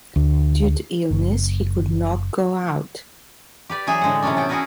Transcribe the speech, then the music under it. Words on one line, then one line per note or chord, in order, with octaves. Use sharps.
Due to illness, he could not go out.
D2
F#1
G4 B4 D5 G5
E3 F#3 G#4 E5 G#5
A2 D3 G#3 C4 F#5
C3 E3 F#3 C#4 D4
B3 E4 G5
C#4 E4 F#4 G#4 A#4 B4